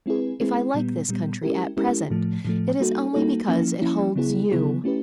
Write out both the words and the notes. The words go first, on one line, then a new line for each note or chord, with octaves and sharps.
If I like this country at present it is only because it holds you.
G#3 C4 E4 G#4 B4
G#3 C4 E4 G#4 B4
A#2 G3 B3
A#2 G3 B3
G#3 C#4 E4 G4 A#4
G#3 C#4 E4 G4 A#4
A2 F3 A3
A2 F3 A3
G3 A#3 D#4 F#4 A4
G3 A#3 D#4 F#4 A4
F3 A#3 C#4 E4
F3 A#3 C#4 E4
C#3 F#3 B3 E4 G#4
C#3 F#3 B3 E4 G#4
A3 C#4 E4 G4 B4